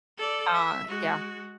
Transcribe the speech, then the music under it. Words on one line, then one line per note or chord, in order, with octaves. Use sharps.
Ah. Yeah.
A4 D5
E5
G#3 F#4